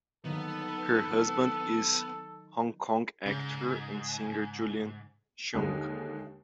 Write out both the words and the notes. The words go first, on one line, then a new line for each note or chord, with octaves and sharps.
Her husband is Hong Kong actor and singer Julian Cheung.
D#3 F#3 A#3 B3 A4
G#2 C#3
D#2 D3 G#3